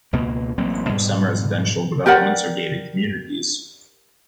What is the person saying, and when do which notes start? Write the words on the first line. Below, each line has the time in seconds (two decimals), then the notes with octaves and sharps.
Some residential developments are gated communities.
0.13 C#2 B2 A#3
0.58 A1 F#3 A#3 C4
0.88 G#2 B2 G3
2.06 G4 A#4 D5 F#5